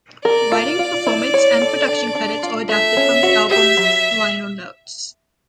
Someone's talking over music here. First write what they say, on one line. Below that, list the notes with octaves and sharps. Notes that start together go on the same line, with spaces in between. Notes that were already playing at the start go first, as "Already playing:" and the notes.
Writing, performance and production credits are adapted from the album liner notes.
A#4 D5
F4
F4
E4
C#5
A4
D4
D4
F4
A3 E5
C#4
F#4
G4 E5
F#3